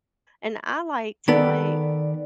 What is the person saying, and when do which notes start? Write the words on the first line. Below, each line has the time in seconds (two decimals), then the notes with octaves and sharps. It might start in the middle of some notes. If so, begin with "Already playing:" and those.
And I like to, like,
1.28 D#3 B3 A4 D5